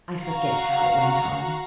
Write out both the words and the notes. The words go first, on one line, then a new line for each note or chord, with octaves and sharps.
I forget how it went on.
F#4 F5 A#5